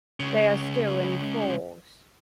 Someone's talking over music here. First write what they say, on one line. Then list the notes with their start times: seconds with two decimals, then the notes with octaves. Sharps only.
They are still in force.
0.20 C#2 C#3